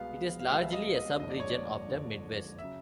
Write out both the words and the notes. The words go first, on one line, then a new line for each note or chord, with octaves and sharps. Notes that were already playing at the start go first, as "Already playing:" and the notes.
It is largely a sub-region of the Midwest.
Already playing: C2 B2 G#3 B3 F5
F5
C2 B2 G#3 B3 E5
D#5
D#5
F#1 F2 D3 D#5
D5
C#5
D5
F#1 F2 D3
C#3 F#3 E5